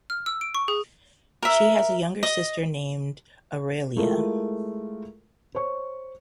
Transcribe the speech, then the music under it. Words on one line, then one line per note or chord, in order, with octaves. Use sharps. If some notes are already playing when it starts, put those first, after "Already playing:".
She has a younger sister named Aurelia.
F6
E6
D7
C#6
G#4
A#4 E5
D#5
G#3 A3 E4 F4 A#4
C5 C#5 C#6